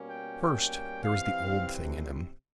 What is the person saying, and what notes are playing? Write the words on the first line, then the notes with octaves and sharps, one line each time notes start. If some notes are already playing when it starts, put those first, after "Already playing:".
First there was the old thing in him.
Already playing: B2 G3 A#3 C#4
G5
G5
C3 E3 G3 C4 F5